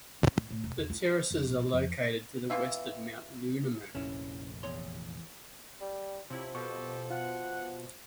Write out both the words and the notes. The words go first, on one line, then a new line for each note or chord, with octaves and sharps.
The terraces are located to the West of Mount Lunaman.
C#4
A1
A2
E1
E2
E4 F4
F1
A#1
F2
B2 E3 F4 E5
F1 A#1 C#4 E4
E2 C#5 C6
G3
C3 F3 C#4 E4
B2 C4 G4 A4 C#6
F4 F#5